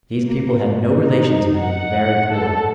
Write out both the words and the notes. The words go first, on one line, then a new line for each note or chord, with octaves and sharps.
These people had no relations and were very poor.
A#3
A#2
D#4
F#5
A4